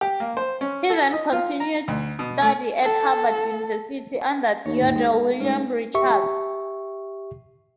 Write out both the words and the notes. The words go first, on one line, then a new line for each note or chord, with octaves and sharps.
He then continued study at Harvard University under Theodore William Richards.
G4
A#3
C5
C#4
A4
D#5
F4
A#5
D2
B2
A3
A4
D#2 C#5
D2 G#2
G#3 D#4
G#2 A3 C#4
G4 E5 C#6